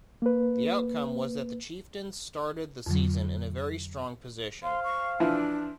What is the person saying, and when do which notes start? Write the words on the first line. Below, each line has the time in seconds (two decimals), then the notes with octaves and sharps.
The outcome was that the Chieftains started the season in a very strong position.
0.22 A#3 B4
2.86 F2 D3 F#3
4.63 C5 F5 C6
4.84 C#6
5.20 E3 F3 D4 E4